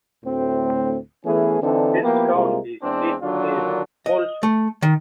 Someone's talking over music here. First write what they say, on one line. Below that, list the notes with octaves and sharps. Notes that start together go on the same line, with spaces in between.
Its county seat is Muleshoe.
D2 A2 C4
E3 A3 B3 C#4 G#4
D3 E3 C4 D4 D#4 A4
F3 A#3 B3 E4 G4
C2 C3 G#3 A#3 F4 A#4
E2 G#3 B3 C4 D4
D3 D#3 F#3 A#3 D4 F4
D#5
A3
D#3